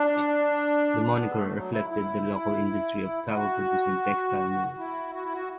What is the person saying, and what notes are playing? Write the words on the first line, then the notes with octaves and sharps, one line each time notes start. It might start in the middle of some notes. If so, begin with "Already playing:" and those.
The moniker reflected the local industry of towel–producing textile mills.
Already playing: D4
B3
A3
F#3
E4
E4
F#4
E4
F#4
E4
F#4